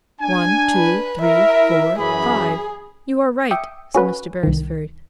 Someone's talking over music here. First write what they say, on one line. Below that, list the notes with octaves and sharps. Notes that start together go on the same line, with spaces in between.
"One--two--three--four--five, you are right," said Mr. Beresford.
D4 G#5
B4
E4 A#4 E5
F#2 E3 G#4 B5
E5 G5 D6 D#6 C#7
C#4 F#4 B4
C2 D#3